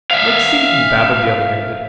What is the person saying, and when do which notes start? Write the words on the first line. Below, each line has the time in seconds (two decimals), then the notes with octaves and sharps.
"Like Satan!" babbled the other bandit.
0.11 E5 F5